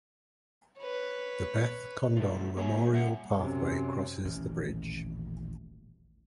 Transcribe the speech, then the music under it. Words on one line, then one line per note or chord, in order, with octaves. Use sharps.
The Beth Condon Memorial Pathway crosses the bridge.
B4 C#5
F#3 G3 A3 F4
A#3 G#4 C#5 E5 G#5
G3 E5 F#5
F#2 C3
D#1 A1 E3 C#4